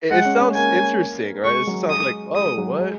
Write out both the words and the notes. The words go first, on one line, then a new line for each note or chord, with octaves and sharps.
it it sounds interesting, right? It just sounds like, "Oh, what?"
G#3 F#5
C#4
C#4
A#3 G#5
G#3 C#6
F#3
G#3 D#6
G#3 D#6
F#3
G#3